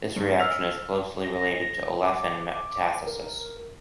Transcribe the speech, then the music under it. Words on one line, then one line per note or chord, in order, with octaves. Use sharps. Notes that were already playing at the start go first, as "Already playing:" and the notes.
This reaction is closely related to olefin metathesis.
G2
E6 F6 B6 F7
A#6
D6
A#4